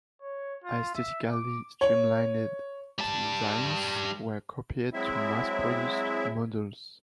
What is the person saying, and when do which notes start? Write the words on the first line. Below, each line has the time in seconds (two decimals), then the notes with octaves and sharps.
Aesthetically streamlined designs were copied to mass-produced models.
0.22 C#5
0.64 F4
0.95 E5
1.32 D6
1.81 C#5
2.98 G3 A5
4.93 F#3 G#3 C4 E4 E5